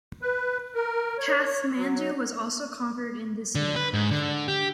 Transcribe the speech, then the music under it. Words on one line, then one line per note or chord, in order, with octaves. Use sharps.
Kathmandu was also conquered in this year.
B4
A#4
C#5
F#3
D3
B4
G#2
D3
G4